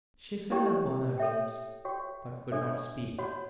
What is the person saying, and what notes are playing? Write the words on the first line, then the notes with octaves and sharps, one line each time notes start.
She fell upon her knees, but could not speak.
E4 G4 C#5 G5 C#6
A4 C#5 E5 G5
F#4 C#5 G5 C#6
D4 A4 C#5 E5
F#4 C#5 F#5 B5